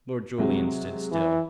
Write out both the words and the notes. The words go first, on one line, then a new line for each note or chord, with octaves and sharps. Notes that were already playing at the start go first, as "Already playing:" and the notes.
Lord Julian stood still.
C3 F#3 G#3
E3